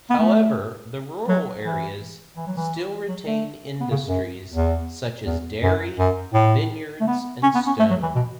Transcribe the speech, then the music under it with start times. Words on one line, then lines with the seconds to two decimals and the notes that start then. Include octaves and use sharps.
However, the rural areas still retain industries such as dairy, vineyards, and stone.
0.10 B3
0.19 A3
1.29 F#3
1.65 E3
2.37 E3
2.47 F#3
2.57 E3
3.09 F#3
3.26 A3
3.81 B3
3.91 C#3
4.08 F#2
4.54 E2
5.26 E2
5.63 F#2
5.99 F#2
6.34 A2
7.01 A3
7.07 B3
7.43 C#4
7.55 B3
7.67 C#4
7.80 A3
7.90 F#3
8.03 E3
8.15 B2